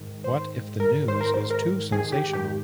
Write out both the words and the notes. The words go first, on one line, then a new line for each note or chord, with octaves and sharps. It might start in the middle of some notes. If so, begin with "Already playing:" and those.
What if the news is too sensational?
Already playing: G#2 D#3
C5
A#4
C5
A#4
C5
A#4
G#2 D#3 G#4
G4
G4